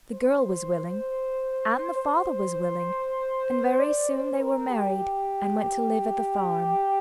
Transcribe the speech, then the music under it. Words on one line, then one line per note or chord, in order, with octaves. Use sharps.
The girl was willing and the father was willing, and very soon they were married and went to live at the farm.
C5
C5
D5
C5
A#4
G4